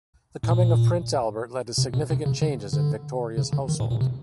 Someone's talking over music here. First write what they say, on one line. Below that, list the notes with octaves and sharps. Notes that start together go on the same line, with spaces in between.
The coming of Prince Albert led to significant changes in Victoria's household.
A2
A#2
C3
B2
C3
C#3
D3
D3
C#3
D3
D#3
A2
A#2
C3